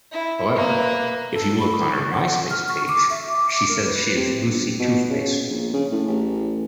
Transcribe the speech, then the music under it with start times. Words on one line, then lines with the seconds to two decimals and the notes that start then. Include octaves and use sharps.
However, if you look on her Myspace page she says she is Lucy Toothpaste.
0.12 E4
0.55 A#3 B4
1.33 A4
1.59 B5
1.91 C#6
2.10 F#5
2.50 F6
2.68 C#6
2.88 D6
3.10 E5
3.29 D6
3.50 D6
3.68 A#4
3.85 B4
4.16 C3
4.45 G1
4.79 B2
5.10 C#3
5.50 A#1
5.73 C#3
5.92 A2
6.08 A1